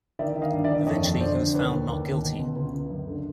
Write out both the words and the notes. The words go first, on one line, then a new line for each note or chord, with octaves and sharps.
Eventually he was found not guilty.
D#3 D5 E5
D#3
D#5 F5
G2
D5 E5
D#3
F2 C#5 D#5
F2
D3 C5 D5
D3
D#2 B4 C#5
D#2
D#2
D#2
B2
C#2
C#2
C#2
F#2
D3